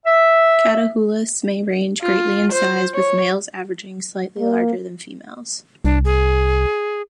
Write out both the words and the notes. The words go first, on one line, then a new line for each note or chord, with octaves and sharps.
Catahoulas may range greatly in size with males averaging slightly larger than females.
E5
F4
C5
C#5
A#3
C2 D4
G#4